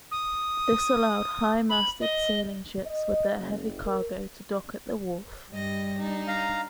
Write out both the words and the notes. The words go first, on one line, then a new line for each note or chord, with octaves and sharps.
This allowed high-masted sailing ships with their heavy cargo to dock at the wharf.
D#6
B5
D#5
D#5
F#1
A#4
G2 G3 D#5 A#6
D4 D#4
F5 A#5